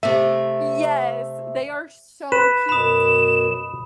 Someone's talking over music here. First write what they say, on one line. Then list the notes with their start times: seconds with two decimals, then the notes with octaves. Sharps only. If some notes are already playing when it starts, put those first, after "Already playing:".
Yes, they are so cute.
0.03 C3 A3 E5
2.32 B4 E7
2.69 F#2 B2 B5 D#6 E7